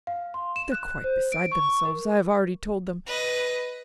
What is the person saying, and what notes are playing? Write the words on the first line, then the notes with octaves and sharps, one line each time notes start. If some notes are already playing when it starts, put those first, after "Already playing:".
"They're quite beside themselves; I have already told them..."
F5
C6
E7
F#6
C5
D7
C#6
C#6
A#4
B4 D#5